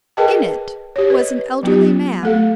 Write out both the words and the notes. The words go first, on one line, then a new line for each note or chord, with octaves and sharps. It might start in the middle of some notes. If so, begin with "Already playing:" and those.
In it was an elderly man.
G#4 A#4 B4 D#5 G5 A5
G4 C#5
B4 D#5
F#3 B3 F4 G4
A3 A4 F5